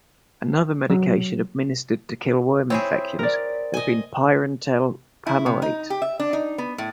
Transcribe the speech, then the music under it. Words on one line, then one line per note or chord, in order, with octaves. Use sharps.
Another medication administered to kill worm infections has been pyrantel pamoate.
F#3
C4 E4 G#4 C#5
A#4 D5
D#5 G#5
E4
C3
D#4
G4
E5
D4
D#4
B3
A2